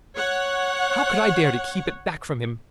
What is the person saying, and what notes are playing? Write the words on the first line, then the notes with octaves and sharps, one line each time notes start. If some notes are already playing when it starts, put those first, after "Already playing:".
How could I dare to keep it back from him?
C#5 F#5